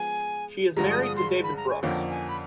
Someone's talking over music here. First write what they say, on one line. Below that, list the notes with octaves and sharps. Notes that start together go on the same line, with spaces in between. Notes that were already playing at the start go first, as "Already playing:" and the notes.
She is married to David Brooks.
Already playing: F3 G#3 B3 G#5
G2 D3 F3 G#3 A#5
D#6
D#6
C6
B5
A#5
G#5
F2 D3 F3 A#3 C#4 G5
G#5
B5